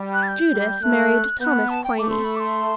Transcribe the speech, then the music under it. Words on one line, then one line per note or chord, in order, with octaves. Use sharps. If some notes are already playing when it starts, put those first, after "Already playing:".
Judith married Thomas Quiney.
Already playing: G3
F#6
A6
G6
G3
A3 F#6
B3 F#6 G6
A5
G5
A3 D6
C6
B5
D6
C6